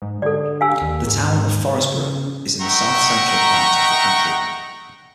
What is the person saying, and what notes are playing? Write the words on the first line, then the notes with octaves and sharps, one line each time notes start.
The Town of Forestburgh is in the south-central part of the county.
G#2
D3 A4 D5
F5 G#5 E6
D#2
G#2
C#3
D#5 E5 F#5 G5 A#5 C#6